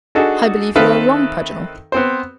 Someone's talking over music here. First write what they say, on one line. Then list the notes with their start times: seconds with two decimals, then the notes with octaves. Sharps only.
"I believe you are wrong, Paganel."
0.15 D4 D#4 F#4 G#4 A4
0.76 D#3 C4 A4 B4 E5 F5
1.92 B3 C4 C5